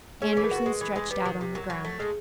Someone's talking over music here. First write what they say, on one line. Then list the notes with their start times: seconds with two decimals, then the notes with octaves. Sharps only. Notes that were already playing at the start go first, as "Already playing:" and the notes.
Andersen stretched out on the ground.
0.22 C#4 G#4
0.33 G#4
0.37 E3
0.44 A#4
0.51 F#4 B4
0.66 G#3
0.81 E3
0.96 G#3
1.10 G3 B4
1.25 D#3
1.41 C3
1.54 F#3 A#4
1.70 F#3
1.85 A3
1.99 G#3 G#4